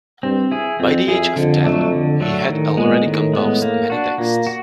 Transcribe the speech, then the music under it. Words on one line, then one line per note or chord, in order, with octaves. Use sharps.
By the age of ten he had already composed many texts.
G2 C4
E4 G#4
F2 C4
F2 E4 G#4
F2 D3
F#3 A3 D4
D3
F#3 A3 D4
A2 D#3
A#2 G#3 B3
A2 D#3
G#3 B3
A#3
D4 F#4
A#2 A#3
F#4